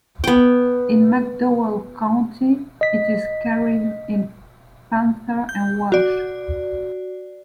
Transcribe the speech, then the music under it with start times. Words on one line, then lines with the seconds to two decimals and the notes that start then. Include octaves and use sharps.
In McDowell County, it is carried in Panther and Welch.
0.24 B3 G5
2.81 D#5 B6
5.49 G6
5.92 F#4 D5